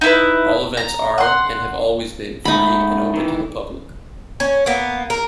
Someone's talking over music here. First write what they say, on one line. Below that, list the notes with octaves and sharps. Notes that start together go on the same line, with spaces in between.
All events are, and have always been, free and open to the public.
D#4 E4 B4
A#5
F#5 C6
G#2 A3 D#4 B5
D#3 E3
C#4
A#3 B3
A#4